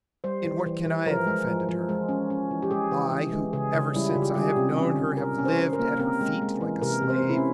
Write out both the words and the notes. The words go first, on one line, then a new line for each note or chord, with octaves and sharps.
In what can I have offended her--I who ever since I have known her have lived at her feet like a slave?
G3 C5
E3
E3
E3
F3 A#4
G#3
F3
F3
G#3
C#4
C#4
E3
G4
G#3 G#4
E3
E3
G#3
C#3 G#4
C#3
G3 E4
F4
C#3
G4
G3 G#4
C3
C#4
C#4
C3 A#4
C#4
C5
C#4
A#4
A#3
C4 A#4
G#3
G#3
E3
C3 A#4
C3
C5
C3
E4
C#4